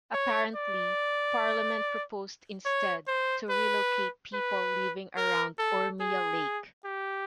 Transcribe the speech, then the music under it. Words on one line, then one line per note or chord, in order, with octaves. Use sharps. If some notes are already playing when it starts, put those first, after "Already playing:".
Apparently, parliament proposed instead to relocate people living around Urmia Lake.
C#5
D5
C#5
C5
B4
B4
A#4
A4
G#4
G4